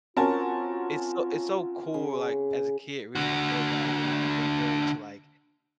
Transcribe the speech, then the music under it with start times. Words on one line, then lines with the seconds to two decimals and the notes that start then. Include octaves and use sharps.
it's so it's so cool, like, as a kid reading the book as in, like, they go to, like,
0.17 C4 C#4 F4 F#4 A#4 A5
1.94 C#3
3.15 D3 F#4